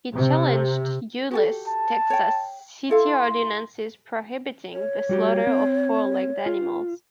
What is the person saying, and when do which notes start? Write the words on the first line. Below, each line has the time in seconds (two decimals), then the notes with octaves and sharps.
He challenged Euless, Texas city ordinances prohibiting the slaughter of four-legged animals.
0.14 C3
1.31 F#4 G4 A4
1.67 A5
2.10 C#5 G5
2.89 E4 A4 F5 C6
4.72 C#5
5.09 G3 F#4 G4
5.47 C4
6.46 F4